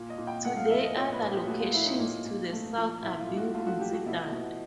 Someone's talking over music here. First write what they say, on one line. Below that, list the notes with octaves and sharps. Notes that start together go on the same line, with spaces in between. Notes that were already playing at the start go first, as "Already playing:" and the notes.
Today other locations to the south are being considered.
Already playing: A#2
D#5
A#2
G5
A3 F#5
F5
F3 E5
D#5
A#2 C#5
B4
A#2
G4
A3 F#4
F4
F3 E4
D#4
A#2
A#2
A3
F3
A#2 E4
F4
A#2
F#4
A3 F4
F#4
F3 G4
F#4
B2 E4
B2